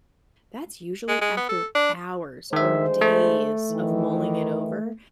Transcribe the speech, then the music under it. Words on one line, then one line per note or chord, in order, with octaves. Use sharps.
that's usually after hours or days of mulling it over,
G#3
G#3
B3
A4
D4
D2 D#3 G#3 C5 E5
A3
D#3 E3